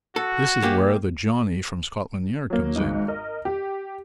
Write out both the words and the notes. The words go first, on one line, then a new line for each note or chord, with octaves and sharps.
This is where the Johnny from Scotland Yard comes in.
F#4 A4
G#3 A#3 G4
F#3 A#3
G#1 G#2 D#4
A#4 D#5
G4